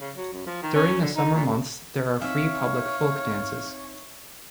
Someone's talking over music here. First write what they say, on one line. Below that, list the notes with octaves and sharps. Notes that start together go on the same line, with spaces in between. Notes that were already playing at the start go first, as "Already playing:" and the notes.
During the summer months there are free public folk dances.
C#3
F#3
F#2
F3
D#3
C#4
D3
D#4
A#2
D#2
C4 D#4 C#5 E5 F5 G#5